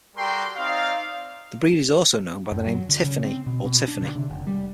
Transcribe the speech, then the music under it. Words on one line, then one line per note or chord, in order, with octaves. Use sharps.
The breed is also known by the name Tiffanie or Tiffany.
G3 F#4 A4 A#4 G5 C6
C4 D#4 D5 F5
F#2
F#3
D3
C#3
C4
B2
B2
D4
D3
C3
F1
G3